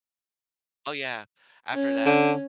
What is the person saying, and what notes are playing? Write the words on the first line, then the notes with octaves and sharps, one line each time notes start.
Oh, yeah. After that,
C#4
D3